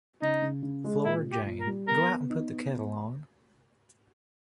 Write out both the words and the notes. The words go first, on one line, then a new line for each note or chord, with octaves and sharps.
Flora Jane, go out and put the kettle on.
C#3 D#4
C#3
C#3
G#3
A#2 E4
A#2
G4
A#2
A#4
G3
B3 A#4
B3
D#4
B3